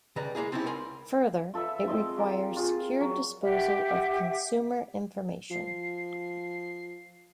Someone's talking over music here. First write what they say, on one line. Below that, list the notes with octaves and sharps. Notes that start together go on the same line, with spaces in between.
Further, it requires secure disposal of consumer information.
C#3 G3 B4 D#5 A#5
G#3 A#3 E4 G#4
F3 C4 C#4 D#4 E4 G4
C#2 A#4 G#5 B5 C6
F4 A4 B4 E5
G#3 C4 D#5 C6
F4 G4 A#4 D5
F4 G#4
F#3
G4 E5 F#5
F3 C7